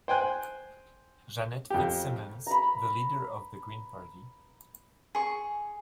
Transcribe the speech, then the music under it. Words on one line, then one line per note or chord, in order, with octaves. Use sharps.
Jeanette Fitzsimons, the leader of the Green party.
C5 G5 G#5 F#6
F2 G4
A#5 B5
G#4 C#6